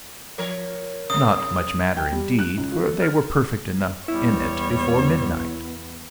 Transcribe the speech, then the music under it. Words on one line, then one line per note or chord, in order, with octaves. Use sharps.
Not much matter indeed, for they were perfect enough in it before midnight.
F3 A#4 C#5
C3 D#6
G5
G3
F#6
C#2
F4
A4
F6
E2 G3 B3 E4 C#5